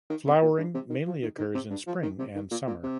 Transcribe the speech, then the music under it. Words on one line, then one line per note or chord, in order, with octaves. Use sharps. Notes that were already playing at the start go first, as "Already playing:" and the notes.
Flowering mainly occurs in spring and summer.
D#3
C3
A#2
G2
C3
D#3
F3
D#3
D#3
C3
G2
F3
D#3
C3
D#3
A#2
A#2
C3